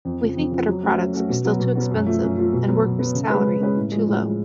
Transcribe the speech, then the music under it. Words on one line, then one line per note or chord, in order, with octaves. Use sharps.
We think that our products are still too expensive and worker's salary too low.
F2
C#3 F3
F2
C#3 F3
F#3
A3 C#4 F#4
F#3
A3 C#4 F#4
B2
F#3 B3 F#4
B2
F#3 B3 F#4
F#2
F3 A3 F4
F#2
F3 A3 F4
B2
F#3 B3
B2
F#3 B3
C#3
G#3 C#4 G#4 B4
C#3
G#3 C#4 G#4 B4
A2
F3 G#3
A2
F3 G#3